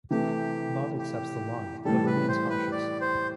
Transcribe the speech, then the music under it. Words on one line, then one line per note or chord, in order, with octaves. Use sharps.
Bob accepts the lie but remains cautious.
C3 E3 A3 G4
G4
A2 E3 G3 A4
B4
C5
B4
D5
C5